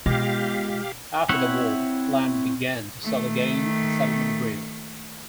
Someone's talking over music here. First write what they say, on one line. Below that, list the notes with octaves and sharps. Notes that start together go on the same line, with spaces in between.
After the war land began to sell again and settlement grew.
B2 G#3 F4 G4 D#5 F5
C4 E4 C#5 E5 F#5
D#3 A3